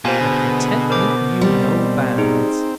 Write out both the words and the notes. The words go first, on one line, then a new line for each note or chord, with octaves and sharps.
Her contentment knew no bounds.
B2 A#3 F4 G4 C5 G#5
D3 G#4 B4
A#4 C5 D6
G3 C4
D#4 G#4